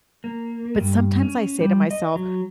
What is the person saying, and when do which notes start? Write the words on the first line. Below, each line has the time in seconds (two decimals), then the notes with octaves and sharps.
but sometimes I say to myself,
0.24 A#3
0.80 G2
1.23 C#4
1.61 G3
1.91 D#5
2.16 F#3